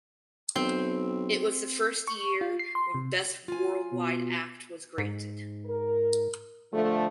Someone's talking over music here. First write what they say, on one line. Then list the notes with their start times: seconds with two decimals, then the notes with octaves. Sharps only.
It was the first year when Best Worldwide Act was granted.
0.56 B1 C4
2.08 C#6
2.41 F4
2.59 C7
2.75 C6
2.94 C3
3.48 F4 G#5
3.92 B2
4.98 G#2
5.66 A#4
6.72 D3 F3 A3